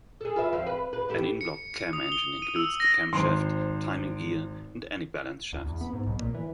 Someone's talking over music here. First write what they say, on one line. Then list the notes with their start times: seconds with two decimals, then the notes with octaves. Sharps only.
An in-block cam engine includes the camshaft, timing gear, and any balance shafts.
0.21 G#4 A4
0.36 F4 B4 E5
0.53 F2 C4 F5
0.66 B4
0.93 B4
1.09 D#2 G4 A4
1.41 C#7
1.93 D#6
2.12 G7
2.42 D#7
2.56 E6
2.80 A#6
3.13 G#1 C5 C6
5.53 D2
5.66 E2
5.81 B3
5.93 G#2
6.06 B1
6.19 A#2
6.35 E3